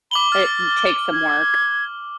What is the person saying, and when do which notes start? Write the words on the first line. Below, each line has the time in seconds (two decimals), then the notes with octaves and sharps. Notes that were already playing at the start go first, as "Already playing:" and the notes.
It takes some work.
0.11 B5 D6 F#7 G7
0.32 F6 A6
1.13 G#6